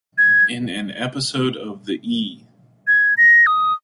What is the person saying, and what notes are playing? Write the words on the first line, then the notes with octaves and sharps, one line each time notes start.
In an episode of the E!
G#6
G#6
A#6
D#6